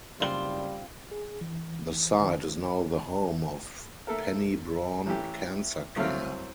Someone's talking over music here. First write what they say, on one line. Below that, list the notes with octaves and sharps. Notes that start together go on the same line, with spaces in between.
The site is now the home of Penny Brohn Cancer Care.
F#1 G3 C4 F4 D5 G7
G#4
E3
D#3
A3 A4 A#4
A1 E3 A3 G4
C2 F#3 A3 C4 F5